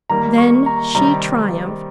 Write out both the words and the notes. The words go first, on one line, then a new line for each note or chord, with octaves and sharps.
Then she triumphed.
D#3 G3 A#3 A#5
C#6
A#5
C3 D#3 G3 A#5